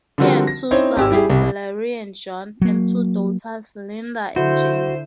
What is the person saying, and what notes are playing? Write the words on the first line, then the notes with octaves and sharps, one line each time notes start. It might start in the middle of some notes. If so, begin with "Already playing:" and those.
He had two sons, Larry and John and two daughters, Linda and Jane.
D3 F3 G3 C4 F#4 A#4
A#6
C4 C#4 D#4 E4 C5 C#5
G#1 G4 E6
G3 E4 G4 G#4
C2 G3
F#3 A#3
D3 E4 F#4 C5